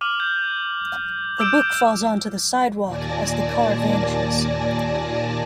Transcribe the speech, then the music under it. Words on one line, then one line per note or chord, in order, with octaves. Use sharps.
The book falls onto the sidewalk as the car vanishes.
D6 F6 D#7 F#7
G6
D6 E6 G6 D7 E7
D#2 A#2 D5 G#5 A5 A#6